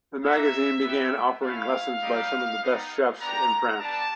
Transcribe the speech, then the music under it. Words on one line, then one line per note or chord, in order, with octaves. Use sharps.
The magazine began offering lessons by some of the best chefs in France.
A#3 D#4 F#4 E5
B3 E4 G4
A3 C#4 E4 F5
G3 C4 D#4 G4
G3 B3 D#4
B3 D4 G4 A#5
G3 B3 D4 A5